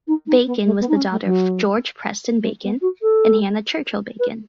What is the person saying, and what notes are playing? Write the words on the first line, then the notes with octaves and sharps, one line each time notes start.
Bacon was the daughter of George Preston Bacon and Hannah Churchill Bacon.
D#4
D#4
B3
A3
B3
D#4
C#4
A3
F#3
A3
B3
F#4
A4
B4